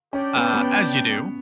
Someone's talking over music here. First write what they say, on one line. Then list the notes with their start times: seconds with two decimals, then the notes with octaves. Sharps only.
uh, as you do,
0.12 C#4 D4 G4 D5 G5
0.36 B3
0.53 B3
0.59 C#4